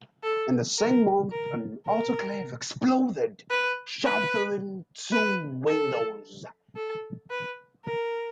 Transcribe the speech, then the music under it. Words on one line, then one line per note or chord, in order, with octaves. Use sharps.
In the same month an autoclave exploded, shattering two windows.
A4
A#4
A#4
A#4
B4
B4
B4
A4
A4
B4
A#4